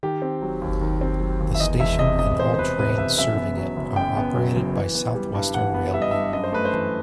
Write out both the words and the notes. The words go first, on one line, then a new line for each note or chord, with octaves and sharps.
The station and all trains serving it are operated by South Western Railway.
D#3 G4
C4
F#3
D#2
D#3
C4
F#3
D#2
E5
E2 D#5
E1 E5
C3 D#5
E1 D#5
E2 C5
C5
E1 B4
C3 B4
E1 E5
F#2 E5
B3
F#3
F#1
F#2 G5
B3
F#3
F#1
E3
B3
G3
G2
E3 F#5
B3
G3 E5
D#5
G2 E5
F#2 D#5
C5
A3 B4
C5
E3